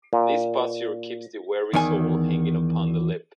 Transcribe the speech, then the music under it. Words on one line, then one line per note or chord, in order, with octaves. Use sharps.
This posture keeps the weary soul hanging upon the lip.
A#2
E2 D#3 G#5